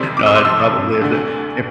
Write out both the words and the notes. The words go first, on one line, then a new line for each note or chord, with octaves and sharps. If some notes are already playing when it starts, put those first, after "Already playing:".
No, it probably isn't, if
Already playing: F1 F2 C3 G3 C4 C6
D6
E6
C6
F2 C3 F3 E6
D2 D3 A3